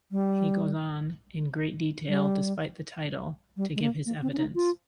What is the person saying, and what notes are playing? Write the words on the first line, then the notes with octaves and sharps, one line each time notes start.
He goes on, in great detail-despite the title-to give his evidence.
G3
G3
G3
G#3
A#3
A#3
C4
C#4
D#4
F4